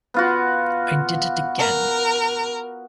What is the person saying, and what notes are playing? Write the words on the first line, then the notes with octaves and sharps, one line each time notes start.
I Did It Again.
B3 F4 F#4
A#4